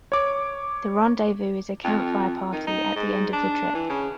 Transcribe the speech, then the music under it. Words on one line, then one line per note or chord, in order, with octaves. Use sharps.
The Rendezvous is a campfire party at the end of the trip.
C#5 D6
F2
D#3
D#4
G#2
D4
E3
C#3